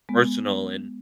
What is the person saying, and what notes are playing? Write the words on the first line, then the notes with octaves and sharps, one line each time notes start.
personal and
G#3 B3